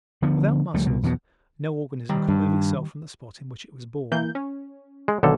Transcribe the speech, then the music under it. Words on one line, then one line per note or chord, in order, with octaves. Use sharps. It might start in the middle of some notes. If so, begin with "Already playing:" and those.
Without muscles no organism could move itself from the spot in which it was born.
D3 F3 B3
C#2 F3 G3 A3
C2 B2
B1 E2 G#2 B2
D#3 G3 A#5
G2
E3 A#3 G6
C#4
G#3
B1 D3 D#3 A4